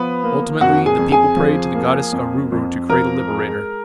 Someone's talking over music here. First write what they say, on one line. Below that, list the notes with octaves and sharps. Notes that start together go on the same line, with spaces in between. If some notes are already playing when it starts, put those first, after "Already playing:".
Ultimately the people prayed to the goddess Aruru to create a liberator.
Already playing: F3 B3 B4
A#3
F2 F#4 F#5
G#4 G#5
F2
G#4 G#5
F3
A#3
F2
F2
F3 A#4 A#5
G#3